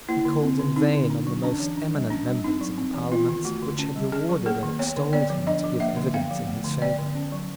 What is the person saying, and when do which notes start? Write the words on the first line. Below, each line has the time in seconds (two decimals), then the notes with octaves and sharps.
He called in vain on the most eminent members of the Parliaments which had rewarded and extolled him to give evidence in his favour.
0.09 A#3 E4
0.25 D3
0.43 C4
0.59 D3
0.76 C4 D#4
0.93 D3
1.10 D4
1.27 F#3
1.43 C#4 D4
1.60 E3
1.77 D4
1.94 G3
2.10 C#4 D4
2.27 G3
2.44 C4 D#4
2.61 F#3
2.78 C4
2.94 E3
3.11 B3 F4
3.29 D#3
3.45 A3 F#4
3.62 D3
3.79 C#4
3.95 G3
4.12 C#4 G#4
4.29 F#3
4.46 A#3 G#4
4.63 D#3
4.79 B3 C#5
4.97 D3
5.13 B3 D5
5.30 F3
5.47 D4 D#5
5.64 F3
5.80 A#3 E5
5.97 D3
6.14 B3 F5
6.31 F3
6.47 A3
6.64 D3
6.82 B3 D5
6.99 D3
7.15 C#4
7.32 F#3